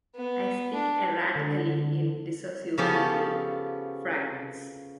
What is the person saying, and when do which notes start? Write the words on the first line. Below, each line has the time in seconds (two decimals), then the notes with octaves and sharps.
I speak erratically, in disassociated fragments.
0.16 B3
0.74 D4
1.36 D3
2.78 C#3 F3 B3 C#4 G4 A4